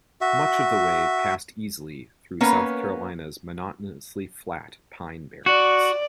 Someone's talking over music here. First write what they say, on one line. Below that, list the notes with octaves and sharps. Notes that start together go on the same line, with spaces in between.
Much of the way passed easily through South Carolina's monotonously flat Pine Barrens.
F#4 E5
A#3 B3 C#4 A#4 B4 C#5
F#4 D5